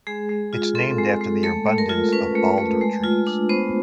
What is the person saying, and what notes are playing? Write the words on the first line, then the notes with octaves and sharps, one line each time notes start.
It's named after the abundance of Alder Trees.
G#3 G#4
G#3
F4
C4 A4
G#3
G#3
A3 A4
A3
A#4
F4
C#4 B4
A3
A3
G#3
F4
D4
B3 C5